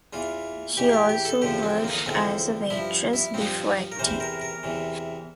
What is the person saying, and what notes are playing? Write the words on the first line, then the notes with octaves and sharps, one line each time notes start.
She also worked as a waitress before acting.
E2 E3 F4
E2 E3 G4
G4
G4
A4
E2 D3 F3 G4
C4
A#3
E2 D3 F3 C4
G2 F3 E4
E4
G2 F3 C4
A#4
E2 C3 E3 C5
A#4
A#4
E2 C3 E3